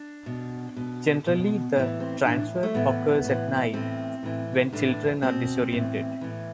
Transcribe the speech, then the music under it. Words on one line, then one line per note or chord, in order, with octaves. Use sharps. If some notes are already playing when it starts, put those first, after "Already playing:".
Generally the "transfer" occurs at night, when children are disoriented.
Already playing: D4
B2
B2
B2
A2 E3
C4
A2 E3 D4
A3
A2 E3 B3
A2 E3
A2 E3 C4
A2 E3
A2 E3 D4
B2 C4
A2 E3
A2 E3